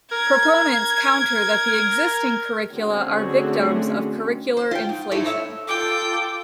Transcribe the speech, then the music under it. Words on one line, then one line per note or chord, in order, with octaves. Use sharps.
Proponents counter that the existing curricula are victims of 'curricular inflation'.
A#4 G#6
D3 A3 C4 C#4 F#4 G#4
C5
F4 G5
G#2
A2 A3 D#4 E4 C5
C#5 E5
F4 A4 G5 D6